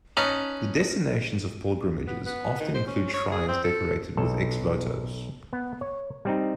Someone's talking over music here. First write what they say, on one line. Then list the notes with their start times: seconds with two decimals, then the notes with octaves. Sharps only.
The destinations of pilgrimages often include shrines decorated with ex-votos.
0.17 C#4 D#4 B4 A5 A#5
2.07 B3
2.25 B3
2.60 D#3
2.74 C5
2.87 C#4
3.14 C#5
3.32 G#4
3.48 C4
3.64 A4
4.17 B1 A4
5.53 B3
5.81 C#5
6.25 G3 C4 D#4